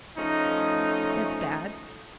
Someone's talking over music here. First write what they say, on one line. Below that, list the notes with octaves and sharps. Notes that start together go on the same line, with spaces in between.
That's bad!
F3 A3 C#4 D#4